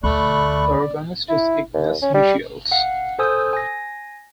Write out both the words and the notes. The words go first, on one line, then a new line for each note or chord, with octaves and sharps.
The organist is Ignace Michiels.
D2 A3 D5 B5 C#6 F#6
E4
D#2
C#4
G3
F5 F#5
A4 C5 G#5 D#6 E6 G6
G#5 A#6